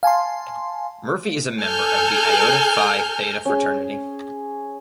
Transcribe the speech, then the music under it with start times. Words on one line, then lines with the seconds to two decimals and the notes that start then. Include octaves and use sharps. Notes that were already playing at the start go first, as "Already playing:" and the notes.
Murphy is a member of the Iota Phi Theta fraternity.
0.03 F5 G#5 A5 C6
1.60 A4 G#5 F6 G6
3.45 C#4 G#4